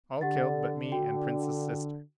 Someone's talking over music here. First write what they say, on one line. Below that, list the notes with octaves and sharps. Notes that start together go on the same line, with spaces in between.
All killed but me and Prince's sister.
D3 G4 F#5 A6
F#4 G5